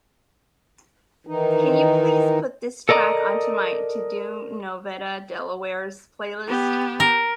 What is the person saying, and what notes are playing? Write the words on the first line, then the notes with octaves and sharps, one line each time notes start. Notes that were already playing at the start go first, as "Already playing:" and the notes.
Can you please put this track onto my TODO NOVEDADelawareS playlist?
D#3 E3 D#4
A4 A#4 D5 D#5 A#5
B3 G4
A#4